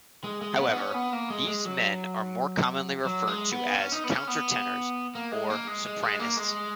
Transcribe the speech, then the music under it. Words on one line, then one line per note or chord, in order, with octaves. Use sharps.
However, these men are more commonly referred to as countertenors or sopranists.
G#3
G#3
B3
B3
C#4
B3
A#3
G#3
G#3
F#3
F#3
G#3
B3
C#4
D#4
B3
C#4
B3
A#3
G#3
A#3
G#3
G#3
G#3
A#3
G#3